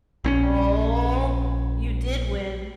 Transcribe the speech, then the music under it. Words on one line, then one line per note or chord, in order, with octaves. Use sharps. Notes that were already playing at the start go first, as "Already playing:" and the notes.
Oh! You did win.
A#1 C4 C#4